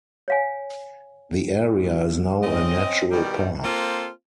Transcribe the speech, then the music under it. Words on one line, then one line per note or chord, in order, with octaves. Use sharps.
The area is now a Natural Park.
C#5 F5 G#5
C4 C#4 D#5
B2 D#3 G3
A#3 C4 F4 A4 C5